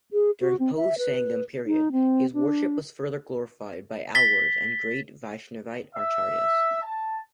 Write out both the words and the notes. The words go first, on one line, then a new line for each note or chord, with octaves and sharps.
During post-Sangam period, his worship was further glorified by Alwars and great Vaishnavite acharyas.
G#4
F#4
C4
E5
B4
D#4
C4
D4
A6 B6 G7
E5
A5